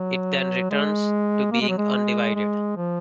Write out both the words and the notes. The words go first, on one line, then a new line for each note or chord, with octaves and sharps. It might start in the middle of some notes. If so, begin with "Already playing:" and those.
It then returns to being undivided.
Already playing: F#3
G#3
A#3
G#3
F#3
G#3
G#3
F3